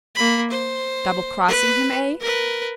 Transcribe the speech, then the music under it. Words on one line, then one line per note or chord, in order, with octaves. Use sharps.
Double-crossing him, eh?
A#3 B5
C5
B4
A#4 B4